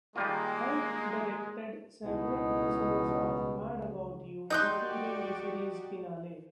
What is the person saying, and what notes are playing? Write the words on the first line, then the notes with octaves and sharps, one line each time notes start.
Hunt directed several episodes of "Mad About You", including the series finale.
D#3 G3 G#3 A#3 F4
C#2 B2 D#4 E4
D#4 F#4 G4 D5 C6 D#6 F#6 G6